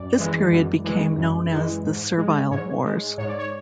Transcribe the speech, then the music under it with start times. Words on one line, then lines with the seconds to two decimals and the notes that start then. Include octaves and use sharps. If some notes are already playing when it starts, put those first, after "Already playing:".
This period became known as the Servile Wars.
Already playing: F#2 D5
0.18 E3 G#3
0.52 F#2
0.85 E3 G#3
1.18 F#2
1.52 E3 G#3
1.85 G#2
2.18 G#3
2.51 G#2 C#5
2.84 G#3
3.18 G#2 C#5
3.28 D5
3.39 C#5